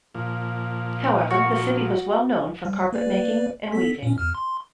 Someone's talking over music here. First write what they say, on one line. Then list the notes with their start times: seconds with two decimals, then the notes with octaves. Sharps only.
However, the city was well known for carpet making and weaving.
0.15 A#2 F3
1.30 F#4
2.65 G3
2.93 A#3 B4 D5
3.72 B3 A4 B6
4.03 A#2 C#4
4.18 E2 F6
4.34 C6